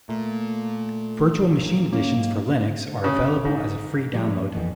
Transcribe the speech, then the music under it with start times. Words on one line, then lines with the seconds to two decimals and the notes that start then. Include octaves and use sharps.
Virtual Machine Additions for Linux are available as a free download.
0.09 A#2 A3
1.93 A#3 C#4
2.17 G#2
2.86 D3
3.04 C#3
3.45 G#2
4.11 A#2 F3 G3
4.53 F2 E3 B3